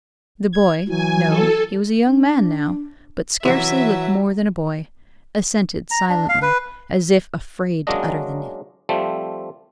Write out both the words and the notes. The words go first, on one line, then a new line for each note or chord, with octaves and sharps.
The boy--no, he was a young man now, but scarcely looked more than a boy--assented silently, as if afraid to utter the name.
G#6
E3 F#3 G#5
A4
D4
C3 E3 F#3 F#4 E5
A#5
D4
F5
B4
F#3 G#3 A#3 C#4 D4 D#5
F3 G3 A3 C4